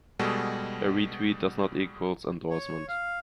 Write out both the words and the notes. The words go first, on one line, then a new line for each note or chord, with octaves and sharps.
A re-tweet does not equals endorsement.
B2 G3 G#3 F#4 G#4 A4
C#5
F5